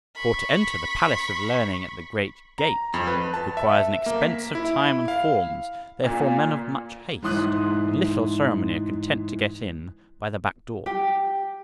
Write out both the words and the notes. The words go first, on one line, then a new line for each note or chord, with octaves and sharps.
For to enter the palace of learning at the great gate requires an expense of time and forms, therefore men of much haste and little ceremony are content to get in by the back-door.
B5 C#6
A#5
F2
B4
A5
E5
A#3
B6
E4
F5
A#2
G#2 E3 C6 D#6 F#6
G4